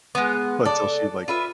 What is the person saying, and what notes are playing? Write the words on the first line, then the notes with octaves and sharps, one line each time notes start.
until she, like
G#3 B3
A4 D5
F4 B4 E5